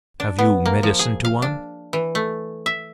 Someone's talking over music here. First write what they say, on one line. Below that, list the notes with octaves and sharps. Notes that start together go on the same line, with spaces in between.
"Have you medicine, Tuan?"
D4
B3
A#3
F3
G#4
F5
D4
E3
A3
E5